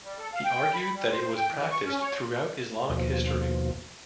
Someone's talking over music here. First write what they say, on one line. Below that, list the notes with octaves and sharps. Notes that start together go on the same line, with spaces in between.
He argued that it was practiced throughout Islamic history.
G3
A4
F5
G5
B5
G3
C5
G5
E3
C#6
C#4
C#5
D#2 B2 F3